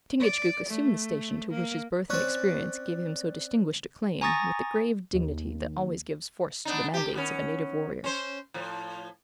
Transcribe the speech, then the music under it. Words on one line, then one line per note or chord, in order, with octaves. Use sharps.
Chingachgook assumed the station to which his birth and experience gave him so distinguished a claim, with the grave dignity that always gives force to the mandates of a native warrior.
D5
A3
A#3
C4 C#4 D5 F#6
G#5 A#5 C#6 D#6 A6 A#6
D#2
B3 D4 D#4
B2 G4
D#3 B3 C#4
C#4 C5
A2 F3